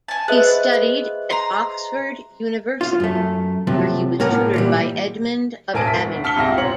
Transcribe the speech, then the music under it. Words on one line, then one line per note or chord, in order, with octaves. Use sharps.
He studied at Oxford University where he was tutored by Edmund of Abingdon.
G#5 A5
B3 G#4 B4 C5 D#5 E5 F#6
A#5 C6
F4
F#2 A3
C3 F3 F#3 A3
A2 A#3 A#4 F#5 G#5
A#2 E3 G3
E1 A2 A#4 G#5 A5 D7
B6
D2
A5 F6 B6 C#7 G7
C2 G#2 F4 E5 G5 A#6
E1 C5 C#5 C#7 F#7